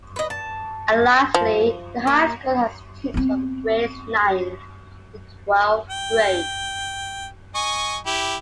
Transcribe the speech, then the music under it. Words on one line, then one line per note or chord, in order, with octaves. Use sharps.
And lastly the high school has teens from grades ninth to twelfth grade.
B4 D#5
A5
F3
A#3
B3 C4
G5
D#5 G#5 C#6
E4 G4